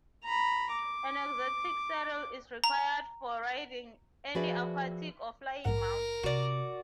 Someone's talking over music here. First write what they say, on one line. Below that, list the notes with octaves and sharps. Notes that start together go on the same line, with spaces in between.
An exotic saddle is required for riding any aquatic or flying mount.
A#5 B5
D6
A#5
F3 F#4 G#4 B4 D5 E5
A#1 G#2 A#4 F#5
C3 F#4 D5